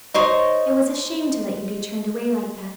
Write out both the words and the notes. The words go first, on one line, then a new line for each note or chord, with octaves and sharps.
It was a shame to let you be turned away like that.
D#4 C5 C#5 D#5